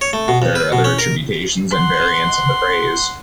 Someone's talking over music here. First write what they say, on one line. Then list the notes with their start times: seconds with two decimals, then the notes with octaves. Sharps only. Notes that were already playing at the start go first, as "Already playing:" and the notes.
There are other attributions, and variants of the phrase.
0.01 C#5
0.13 A3
0.28 B2
0.42 F2
0.55 B4
0.72 B2
0.84 C#4
0.99 A#4
1.71 F#5 C6